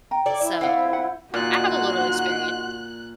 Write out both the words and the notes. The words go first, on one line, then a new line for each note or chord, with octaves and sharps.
So I have a little experience.
G5 A#5
E4 A4 D5
E4 E5
C4 F4 F5 F#5
F#5
A#2 D#4 F#4 G#5 C6 F#6